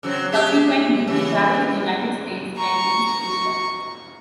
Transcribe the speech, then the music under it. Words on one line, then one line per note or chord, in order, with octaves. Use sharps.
Subsequently, he traveled to the United States and East Asia.
C#3 F#3 C4
G4 G#4 E5
C#3 E3
A#5 C#6